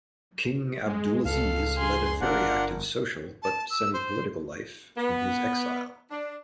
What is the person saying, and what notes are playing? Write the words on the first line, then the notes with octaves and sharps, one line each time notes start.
King Abdulaziz led a very active social, but semi-political life in his exile.
G#3
C#2 A4 F5
G#4 C6
G1 D4 F4 A#4 F#5
A5
E6
C5
B3
D4